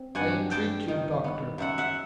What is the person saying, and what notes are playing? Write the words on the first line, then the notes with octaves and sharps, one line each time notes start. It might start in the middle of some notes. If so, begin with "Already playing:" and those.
"I entreat you, doctor!"
Already playing: C4
G2 F#5 G#5
G2 G5 A5
D#3
B3
F#2 E5 F#5
E5 F#5